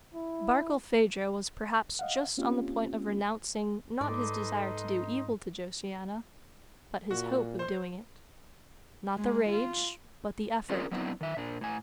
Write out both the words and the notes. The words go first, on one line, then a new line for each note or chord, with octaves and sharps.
Barkilphedro was perhaps just on the point of renouncing not his desire to do evil to Josiana, but his hope of doing it; not the rage, but the effort.
E4
D#5 F5 F#5
A#3 C4 C#4 F4 G4
G#2 D#4 A4 B4 D5 D#5 C6
A#2 F#4
C5 C6
G#3
F4
C4 C#4 F4 G#4 A#4 D5
F#3 B3 C4 D4 E4
D#3 E5
A#2 D4
A2 G#5